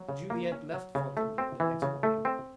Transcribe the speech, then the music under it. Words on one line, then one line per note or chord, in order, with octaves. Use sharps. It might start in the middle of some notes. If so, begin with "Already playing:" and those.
Juliette left Fontainebleau the next morning.
Already playing: F#3
C#3
A#3
C#4
F#3
C#3
A3
C4
E3
C#3
A3
C4